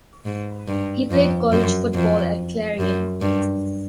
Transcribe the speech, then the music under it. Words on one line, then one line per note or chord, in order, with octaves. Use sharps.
He played college football at Clarion.
G#2
G2
F2
F#2
F2
F#2
G2